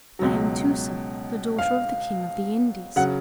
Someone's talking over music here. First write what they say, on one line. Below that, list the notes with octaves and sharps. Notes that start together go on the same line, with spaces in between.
I am Tusa, the daughter of the King of the Indies.
C#2 B2 F#3
F5
C#3 F#3 F#5